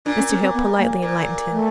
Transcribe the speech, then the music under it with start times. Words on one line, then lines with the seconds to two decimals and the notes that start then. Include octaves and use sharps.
Mr. Hale politely enlightened him.
0.06 A#2 D4
0.18 C#4
0.30 C#4
0.42 C4
0.54 B3
0.78 A#3
1.02 A#2
1.52 A3